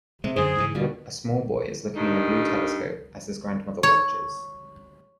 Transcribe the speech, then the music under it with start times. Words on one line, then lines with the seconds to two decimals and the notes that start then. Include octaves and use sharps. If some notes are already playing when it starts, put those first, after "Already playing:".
A small boy is looking in a blue telescope as his grandmother watches.
0.24 C3 G#3
0.36 F#2 D3 D#3 D#4 G#4 C5
0.58 G#2 C#3 E3
0.75 D#2 B2 D3 G3 F4
1.96 G2 D#3 D#4 D#5
3.83 C#5